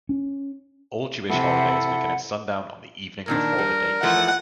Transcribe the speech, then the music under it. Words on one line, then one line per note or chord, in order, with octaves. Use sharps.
All Jewish holidays begin at sundown on the evening before the date shown.
C#4
C3 E4 A4 F#5
A#2 D#3 D4 A#4
G3
E3 F3 A3 F#5